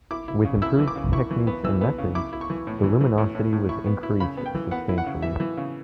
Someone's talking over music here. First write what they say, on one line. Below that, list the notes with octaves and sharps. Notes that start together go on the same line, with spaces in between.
With improved techniques and methods, the luminosity was increased substantially.
E4 D6
E4
C#3
E4 E6
E3
D6
C#3
E4 C#6
E3
B3
E3 E6
B3
C#3
E4 D6
E4
C#6
E3
A2
E3
E3
A2
A2
A2
E4 C#6
B3
E4
C#3 B5
B3
G5
E3
B3 F#5
E4
F#5
C#3
E3 E5
E3
C#3